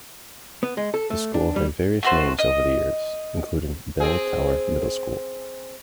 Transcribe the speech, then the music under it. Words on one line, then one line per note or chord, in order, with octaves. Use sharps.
The school had various names over the years, including Bell Tower Middle School.
B3
G#3
A4
A3
D4
G3
A3 F#4 C5
D#5
C4 G#4